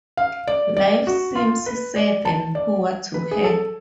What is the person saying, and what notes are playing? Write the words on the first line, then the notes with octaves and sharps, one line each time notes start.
Life seems sad and poor to her.
F5
D5
D5
F#4
F4
B4
D5
A5
D5
B4
G#4
A4